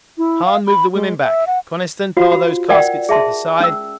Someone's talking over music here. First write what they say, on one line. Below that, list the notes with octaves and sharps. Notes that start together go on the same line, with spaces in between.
Hahn, move the women back! Coniston, pile those caskets to the side.
E4
F5
B5
G#3
E5
F#5
F4 F#4 C5 F5
F#4 B5
A#4 D5 F#5 G5
G#4 E5 A5 C6
C#4 E6